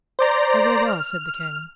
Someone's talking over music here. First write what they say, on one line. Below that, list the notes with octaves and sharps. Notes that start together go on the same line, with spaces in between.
I will well, said the king.
C5 D5 A#5
F6